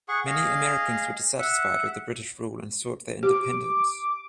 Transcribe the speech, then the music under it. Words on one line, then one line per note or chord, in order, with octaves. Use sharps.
Many Americans were dissatisfied with British rule and sought their independence.
G#4 F#5 C#6
G#4 D#5 F5
E5 F#5
G4 D6